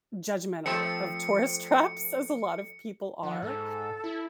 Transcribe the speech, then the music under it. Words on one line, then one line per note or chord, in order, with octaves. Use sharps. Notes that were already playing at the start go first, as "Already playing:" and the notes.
judgmental of tourist traps as a lot of people are.
F3 A3 C4 C#7
F3 F#5
G#2 A4
E4